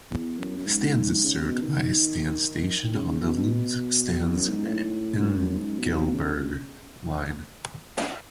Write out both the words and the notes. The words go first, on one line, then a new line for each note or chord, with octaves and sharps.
Stans is served by Stans station on the Luzern-Stans-Engelberg line.
E2
F#2
F#2
G#2
C#3
B2
D#3
C#3
B2
E2
F#2
G#2
A2
F#2
F#2
G#2
B2
B2
C#3